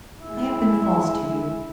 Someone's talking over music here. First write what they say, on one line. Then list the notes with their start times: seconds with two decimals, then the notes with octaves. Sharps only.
I have been false to you.
0.20 G#3 E4